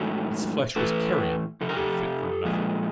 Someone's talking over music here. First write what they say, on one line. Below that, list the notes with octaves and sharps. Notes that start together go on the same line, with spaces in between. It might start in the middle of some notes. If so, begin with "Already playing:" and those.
Its flesh was carrion, and fit for nothing.
Already playing: G#2 D#3 F#3 A3 E4 F#4
A2 E3 A3 A4 B4
F2 C3 A4
A#4
G4 A4
A#2 F3 G#3